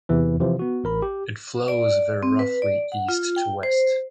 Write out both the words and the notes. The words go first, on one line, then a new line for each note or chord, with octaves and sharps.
It flows very roughly east to west.
E2 C3 E3
C3 E3 F3
B3 F#4
A1 A#4 B5
G4
D5
C4
B4
D5
F#5
F4
G5
C5